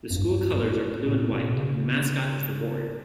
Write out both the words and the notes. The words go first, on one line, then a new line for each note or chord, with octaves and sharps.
The school colors are blue and white, and the mascot is the Warrior.
F#2
G2
G2
A2
B2
A2
B2
B2
C#3